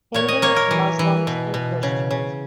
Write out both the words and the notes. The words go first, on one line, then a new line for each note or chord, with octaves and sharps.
Hindus, Muslims and Christians.
A#2 C#5
D#5
A#3 C#5
A#4
E3
E3
B2
B2
C#3
C#3